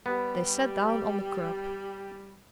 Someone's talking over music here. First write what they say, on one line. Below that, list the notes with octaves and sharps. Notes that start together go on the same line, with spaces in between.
They sat down on the curb.
G3 B3